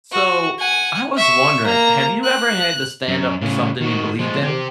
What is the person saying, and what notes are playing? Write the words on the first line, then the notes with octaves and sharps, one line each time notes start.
So, I was wondering, have you ever had to stand up for something you believed in?
F#4
F#5 G#5
E5 C#6
A#3 A#5
F#6
F#2
A2 C#3
D#3 F#4
F3 G#3
C4 G4